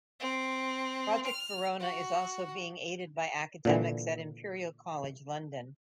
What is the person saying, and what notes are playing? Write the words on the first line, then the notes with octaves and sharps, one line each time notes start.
Project Verona is also being aided by academics at Imperial College London.
C4
F6
F#4
A#2 D3 E3